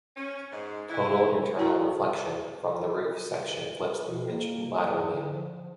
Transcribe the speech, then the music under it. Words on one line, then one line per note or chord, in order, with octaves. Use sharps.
Total internal reflection from the roof section flips the image laterally.
C#4
G#2
E4
E4 F#4 G5 A#5 C#6
B4
B2
A#3
F#3
G#2
D3
F3
F3